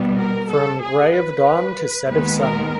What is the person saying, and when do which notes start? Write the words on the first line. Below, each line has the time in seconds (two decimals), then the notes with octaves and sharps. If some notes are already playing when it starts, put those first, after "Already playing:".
From gray of dawn to set of sun!
Already playing: B2 G3 B3
0.19 A#4
0.50 A4
0.82 G#4
1.14 B4
2.08 D#2 D#3 G#3 B3 B4
2.40 A#4